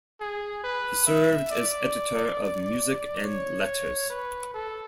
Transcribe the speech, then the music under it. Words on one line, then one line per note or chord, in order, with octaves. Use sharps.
He served as editor of "Music and Letters".
G#4
B4
E5
D5
C#5
B4
A4